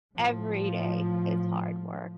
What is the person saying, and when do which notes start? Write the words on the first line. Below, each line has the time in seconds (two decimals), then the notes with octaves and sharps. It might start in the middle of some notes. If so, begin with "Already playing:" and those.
every day, it's hard work.
0.16 A2 F3